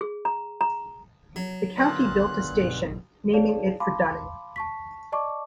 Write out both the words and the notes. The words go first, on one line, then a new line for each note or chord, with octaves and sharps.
The county built a station, naming it for Dunning.
G#4
A#5
A#5
F#3
A#2 D3 B3 F#6
B1 G2 B2
G#4 C#5 D5 F5 A5
F5 A5 B5 C6 D6
A5 C#6 B6
D5 D#5 A5 C#6 D6